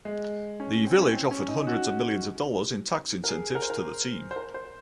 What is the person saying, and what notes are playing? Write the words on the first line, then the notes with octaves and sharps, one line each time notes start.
The village offered hundreds of millions of dollars in tax incentives to the team.
G#3
C#4
C4
C#4
C4
C#4
D#4
F#4
A#4
G#4
A#4
C5
A#4
C5
A#4
C5